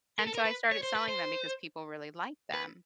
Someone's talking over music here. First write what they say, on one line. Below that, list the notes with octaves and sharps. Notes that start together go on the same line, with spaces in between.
and so I started selling them because people really liked them.
A#4
A4
A#4
B4
C#5
C5
B4
C5
B4